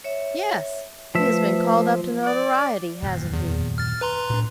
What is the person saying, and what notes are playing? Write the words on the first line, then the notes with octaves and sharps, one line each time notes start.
'Yes; he has been called up to notoriety, hasn't he?
C#5 E5
F3 A3 B4 E5
D5
D#1 F#2 A#2
E2
F6 A6
B4 A#5 C6
A2 D4